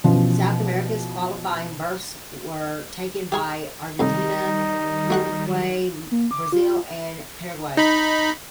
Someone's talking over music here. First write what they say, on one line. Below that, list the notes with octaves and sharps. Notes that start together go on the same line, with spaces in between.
South America's qualifying berths were taken by Argentina, Uruguay, Brazil and Paraguay.
B2 E3 F3 C#4
G4 G#4 C#6
C2 A2 D#3 G3 D#4
A3 F#4 F#5
A#3
D6
F4
D#4 B5